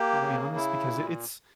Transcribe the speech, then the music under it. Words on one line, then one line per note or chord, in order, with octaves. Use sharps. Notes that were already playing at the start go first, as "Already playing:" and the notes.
I'll be honest because i it's
Already playing: A#3 G4
C#3
E4
A#2